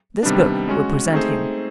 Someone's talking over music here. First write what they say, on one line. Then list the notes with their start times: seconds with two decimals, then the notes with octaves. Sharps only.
This book will present him.
0.23 C3 D#3 G3 B3 D4
0.68 G#3 C#4 F#4
1.12 A3 C4 D#4 G#4 C5